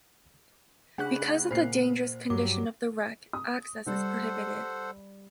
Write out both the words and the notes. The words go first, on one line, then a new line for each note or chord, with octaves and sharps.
Because of the dangerous condition of the wreck, access is prohibited.
C#3 A3 D4 G#4 F#5 B5 F#6
A#2 C5 C7
G2 F#3 G3 G4 D6
D#6
G3 A4 C5 F#5